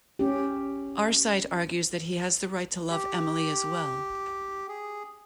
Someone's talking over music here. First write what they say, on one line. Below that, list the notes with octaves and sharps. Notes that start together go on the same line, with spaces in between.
Arcite argues that he has the right to love Emily as well.
C#4 G4
G4
G#4